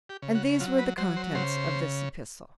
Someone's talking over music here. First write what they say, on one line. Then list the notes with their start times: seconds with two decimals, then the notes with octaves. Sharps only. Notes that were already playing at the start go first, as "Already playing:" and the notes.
And these were the contents of this epistle.
0.09 G4
0.22 C#3
0.35 F#4
0.60 F#3 F4
0.79 B4
0.98 F#3 C5
1.16 C5
1.35 C#3 C5